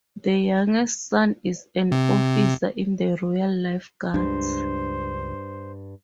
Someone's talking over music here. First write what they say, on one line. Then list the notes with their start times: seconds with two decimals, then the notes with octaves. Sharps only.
The youngest son is an officer in the Royal Life Guards.
1.92 C3
4.14 C#2 G2 D4 C5